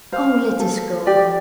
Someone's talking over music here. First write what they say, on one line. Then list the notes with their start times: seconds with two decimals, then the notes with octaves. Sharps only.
'Oh! let us go.
0.12 C5 F5
0.60 A4
1.07 G4 D5